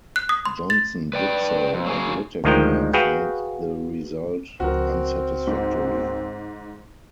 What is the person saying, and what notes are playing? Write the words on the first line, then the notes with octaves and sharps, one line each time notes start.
Johnson did so, but Whitaker found the result unsatisfactory.
F#6
D#6
C6
A6
B4 D5 G5
F2
F#3 A#3 G#4
D2 D#3 F3 G#3 A#4 G5
F#4 G#4 B4 F5 G5
C#2 F3 C4 F#4 A#4
G#2